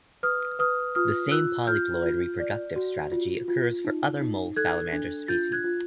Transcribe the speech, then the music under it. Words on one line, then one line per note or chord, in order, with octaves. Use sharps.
The same polyploid reproductive strategy occurs for other mole salamander species.
B4 D#6 F6
B4 D#6 F6
F4 D#6 F6
F4 E6 F#6
F4 F6 G6
F4
D5
F#4
F4
F4
D#4
D#4
A4 F#6 G#6
D4
F4 G6 A6
F#6 G#6
F4